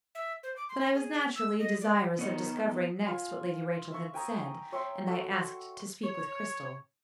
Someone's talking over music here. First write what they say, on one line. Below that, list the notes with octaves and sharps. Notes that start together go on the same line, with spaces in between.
But, I was naturally desirous of discovering next what Lady Rachel had said; and I asked to speak with Cristel.
E5
C5
D6
C6
G#4
E6
D#5
D5
D#3 B3 C#5 D#5
F4 G#5
E5 C#6
G5 G#5 A#5 D#6
C#5 E5 G5 C6
F#4 A4
C#5